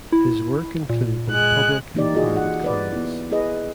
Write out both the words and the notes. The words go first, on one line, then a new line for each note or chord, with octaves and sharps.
His work included both public and private clients.
E4
A#2
G#3 F#6
E3 A#3 D#4 G4 D5
F4 F#4 G#4 D#5
F#5
B4 D5
B3 E4
E4 G#4 B4 D#5